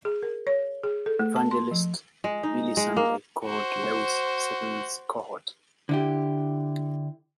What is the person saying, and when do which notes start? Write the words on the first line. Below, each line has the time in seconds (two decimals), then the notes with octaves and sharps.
Evangelist Billy Sunday called Lewis "Satan's cohort".
0.05 G#4
0.23 A#4
0.47 C#5
0.83 G#4
1.06 A4
1.19 A3
1.36 A5
1.51 C6
1.71 F3
2.24 G#3
2.43 D#4
2.77 G#3
2.97 A#3
3.45 F#4 C5
5.89 D3 E4 G4